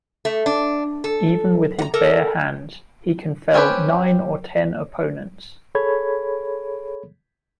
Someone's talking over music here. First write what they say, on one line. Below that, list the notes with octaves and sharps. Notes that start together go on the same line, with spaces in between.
Even with his bare hands, he can fell nine or ten opponents.
A3
D4
A4
F#5 A#5
A4 A#4
C4 C#4 E4 G4 B4
G#4 A4 C#5 B5 G#6